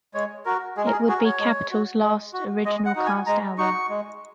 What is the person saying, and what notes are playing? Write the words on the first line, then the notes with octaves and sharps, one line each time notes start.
It would be Capitol's last original cast album.
G#3 C#5
F#4 A#4
G#3 G#4
A#4
G#4
F#4 G#4
A#4
C#5
G#3
F#4
G#3
F#4
G#3 D#5
F#5
D#4 F#4
G#5
G#3 A#5
D#4 F#4 C#6
G#3